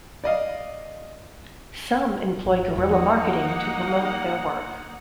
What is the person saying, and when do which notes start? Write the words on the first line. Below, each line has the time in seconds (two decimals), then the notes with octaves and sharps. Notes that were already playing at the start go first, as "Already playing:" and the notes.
Some employ guerrilla marketing to promote their work.
0.24 D5 D#5 F5
2.45 G#1 F3
2.76 E2 F3 A#3 D#4 F#5